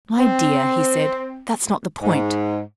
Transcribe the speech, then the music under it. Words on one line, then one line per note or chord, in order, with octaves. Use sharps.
'My dear,' he said, 'that's not the point.
C4
G#2